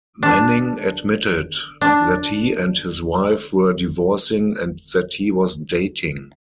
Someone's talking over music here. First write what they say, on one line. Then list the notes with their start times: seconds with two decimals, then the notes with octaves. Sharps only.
Manning admitted that he and his wife were divorcing and that he was dating.
0.23 D4
1.81 D4